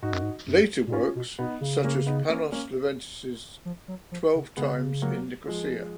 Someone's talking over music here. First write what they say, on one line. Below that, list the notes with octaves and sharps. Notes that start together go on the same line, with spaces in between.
Later works, such as Panos Leventis' Twelve Times in Nicosia.
G#2 D#4 F#4
F#2
G#2
F#2
A#2
G#2 C#4 F4
B2
B2 B3 D#4
C#3
A#3 C#4
B3 D#4
A#3 C#4
A#3 C#4
F3
F#3
F3
C#3
C#3 G#3 B3
F#3 A#3
F3 G#3